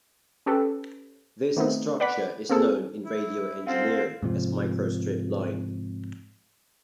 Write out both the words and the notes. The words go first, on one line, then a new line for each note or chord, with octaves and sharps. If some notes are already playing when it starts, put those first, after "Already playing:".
This structure is known in radio engineering as microstrip line.
C#4 G4 A4 B4
D#3 A3 B3 C4 D#4
B4 D5 F#5 B5 B6
A#3 C4 G#4 A4
E4
C4 F4 A4 F5 F#5
G#2 C3 F3